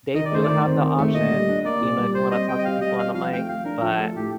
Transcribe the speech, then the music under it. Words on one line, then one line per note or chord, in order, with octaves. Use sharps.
they do have the option, you know, if you wanna talk to people on the mic, but
D#3 D#5
D5
A3 C5
D#3 D5
C4
D#3
A3
A#2 D#5
G3
D4
A#3 D5
A#2
G3
G3 C5
C4 D#5
G3 G5
D#5
G4 F5
G3 D#5
C4 F5
F3 F5
A3 G5
F3 F5
D4 A#4
F3
A4
A3
A2 G4